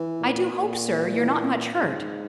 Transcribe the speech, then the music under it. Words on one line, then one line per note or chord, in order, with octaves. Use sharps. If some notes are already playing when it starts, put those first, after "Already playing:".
"I do hope, sir, you're not much hurt?"
Already playing: E3
A#2
A#2
E3
G#2